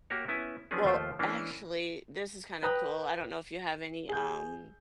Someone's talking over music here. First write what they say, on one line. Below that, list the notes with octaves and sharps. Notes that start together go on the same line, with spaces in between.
Well, actually, this is kinda cool. I don't know if you have any, um,
A#3 F#4 G4 A#4 C#5
B3 C#4 E4 G#5
F3 F#3 B3 C#4 D4 G#4
D#2 F3 A3 F4 C5 G5
E3 A#3 C#4 D4
B4 G5 A#5 D#6 F#6
G#4 G6